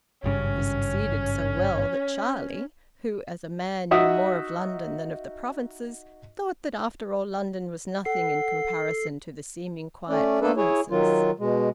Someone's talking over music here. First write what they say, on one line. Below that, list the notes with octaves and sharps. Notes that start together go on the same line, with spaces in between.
He succeeded so well that Charlie, who, as a man, knew more of London than of the provinces, thought that after all London was nothing in comparison to the seeming-quiet provinces.
G#1 G2 C#3 C#4
D#4 F#4 E5 F#5 D#6
A4 F#5 C7
A3 C#4 D5
A3 A#3 D4 A4 B4
E4 G#4 C#5
D#3 F#3 F4
B2 G#3